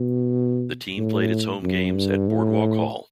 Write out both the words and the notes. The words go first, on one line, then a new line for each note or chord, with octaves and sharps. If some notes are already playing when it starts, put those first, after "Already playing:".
The team played its home games at Boardwalk Hall.
Already playing: B2
A2
F#2
G2
A2